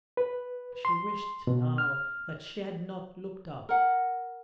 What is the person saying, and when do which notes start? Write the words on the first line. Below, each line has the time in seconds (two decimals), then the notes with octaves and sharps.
She wished now that she had not looked up.
0.17 B4
0.85 C6
1.47 B2
1.78 F6
3.69 A#4 F#5